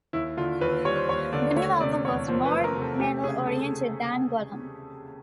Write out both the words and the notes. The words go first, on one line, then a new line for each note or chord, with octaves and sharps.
The new album was more metal oriented than "Golem".
D#2 E4
D3 F4
D#2 B4
G3 C#5
C5
D#2 C#5
D3 D5
A3 C#5
C3 D5
E2 C#5
F3 C5
B4
A3
A#4
C3
A4
A3 G4
C#3 G#4
A4